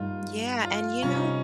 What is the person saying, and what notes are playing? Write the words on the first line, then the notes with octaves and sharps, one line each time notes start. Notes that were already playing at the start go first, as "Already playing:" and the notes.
Yeah, and you know
Already playing: G2 G3 A#3 D#4 F4
F4
C3 G3 C4 C#4 F4
D#4